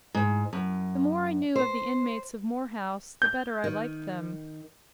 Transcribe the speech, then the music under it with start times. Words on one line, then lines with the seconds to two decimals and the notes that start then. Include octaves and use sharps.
The more I knew of the inmates of Moor House, the better I liked them.
0.15 G#2
0.53 F#2
1.56 C5
3.22 G6
3.64 D#3